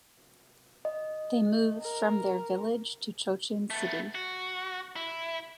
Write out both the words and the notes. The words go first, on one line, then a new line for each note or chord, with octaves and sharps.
They move from their village to Cochin City.
D#5
A#4
A3 B3
F#4
E4